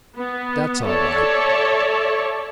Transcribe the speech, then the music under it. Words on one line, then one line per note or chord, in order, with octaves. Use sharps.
That's all wight.
B3
A4 C#5 D5 E5